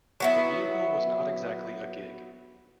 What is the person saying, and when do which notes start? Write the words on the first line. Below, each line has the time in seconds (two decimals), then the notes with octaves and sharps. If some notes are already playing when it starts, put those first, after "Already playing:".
The vehicle was not exactly a gig.
0.20 F#3 B3 E4